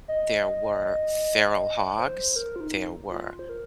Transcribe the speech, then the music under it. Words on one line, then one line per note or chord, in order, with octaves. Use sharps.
there were feral hogs, there were
D#5
C5
A#4
F4
D#4
F4
C5
A#4